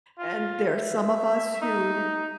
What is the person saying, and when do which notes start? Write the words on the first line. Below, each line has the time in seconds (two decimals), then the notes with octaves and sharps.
and there are some of us who
0.18 F4
0.68 E5
1.61 D#4